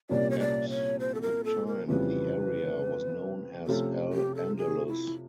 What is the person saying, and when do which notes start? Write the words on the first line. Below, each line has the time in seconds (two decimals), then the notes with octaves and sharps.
At the time the area was known as Al-Andalus.
0.09 C2 A#2 G3 A#3 C#4 D5
0.30 C#5
0.40 D5
0.69 C#5
1.00 C5
1.15 A4
1.22 A#4
1.44 A4
1.67 A#4
1.88 F2 C#3 E3 G3 B4
3.67 C3 F3 A3 C#4 F4 A4
4.13 G4
4.35 A4
4.57 G#4
4.87 E4